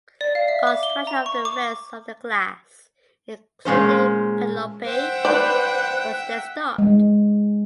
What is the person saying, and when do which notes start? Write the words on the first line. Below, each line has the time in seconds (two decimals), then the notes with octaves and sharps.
Construction of the rest of the class including "Penelope" was then stopped.
0.21 D5
0.35 F5
0.48 E5
0.67 D6
0.83 G7
1.07 A#5
1.26 C#6
1.45 D6
3.65 A#2 G#3 C#4 C5
4.86 C5 E5 F#5 G5
5.25 B4 D5
6.78 G#3